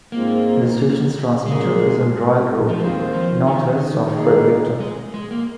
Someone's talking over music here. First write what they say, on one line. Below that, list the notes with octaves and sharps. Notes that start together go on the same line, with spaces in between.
The station's transmitter is on Royal Road, northwest of Fredericton.
G#2 G#3 A#3 C4 F4
A#2 G#3 A#3 G#4
F3
D#2 D#3 G#3 C4 F4 C5
F3
D#3
A#2 A#3 D#4 G#4
G#3
G#3
A#3